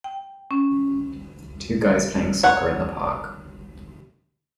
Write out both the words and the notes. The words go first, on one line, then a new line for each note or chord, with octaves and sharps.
Two guys playing soccer in the park.
G5
C#4
C#5 F#5